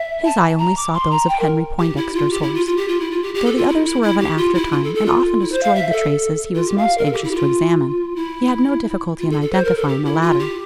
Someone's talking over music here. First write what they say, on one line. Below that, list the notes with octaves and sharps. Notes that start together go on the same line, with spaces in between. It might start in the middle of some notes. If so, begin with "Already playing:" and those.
His eye only sought those of Henry Poindexter's horse. Though the others were of an after time, and often destroyed the traces he was most anxious to examine, he had no difficulty in identifying the latter.
Already playing: E5
A5
A#5
D6
C6
A#5
G5
A#4
G4
E4
F4
G4
E4
F4
F4
G4
F4
E4
F4
G4
G4
A4
F4
E4
E4
E4
G4
F4
E4
F4
A4
A4
F4
E4
C5
F5
E5
A4
F4
G4
F5
A#4
A4
G4
E4
G4
F4
E4
F4
A4
A4
C5
A#4
A4
G4
E4
F4
G4